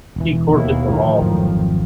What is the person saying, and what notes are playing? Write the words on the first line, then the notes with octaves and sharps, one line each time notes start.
He courted them all.
E1 E3
D#2 B2 E4
A2 D3 D#3 F3
G#1 F2 F#3